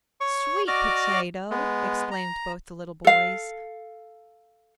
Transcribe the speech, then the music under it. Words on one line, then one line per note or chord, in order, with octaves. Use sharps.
"Sweet potato!" exclaimed both the little boys.
C#5 C#6
F#4 D5 D#5 D6 F6
G#3 B3
A#5
A4 F5